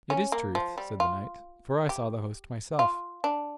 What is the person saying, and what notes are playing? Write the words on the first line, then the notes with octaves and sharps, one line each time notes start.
It is truth, said the knight, for I saw the host myself.
C#4
A#3
F3
G3
F4
G4
F4
D4